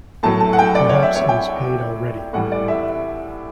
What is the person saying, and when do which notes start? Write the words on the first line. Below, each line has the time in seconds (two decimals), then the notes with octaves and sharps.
Perhaps it is paid already.
0.23 A2 F#3 A3 A5
0.40 A5
0.53 F#5
0.59 G5
0.75 D5
0.89 C#5
1.03 E5
1.15 C#5
1.29 G5
2.33 A2 E3 G3 F#5
2.52 D5
2.68 E5